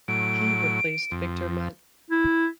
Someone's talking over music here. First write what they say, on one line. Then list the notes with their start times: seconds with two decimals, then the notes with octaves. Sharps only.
He replaced Victor Mutt.
0.08 A2 F#3 D7
1.11 F2
2.11 E4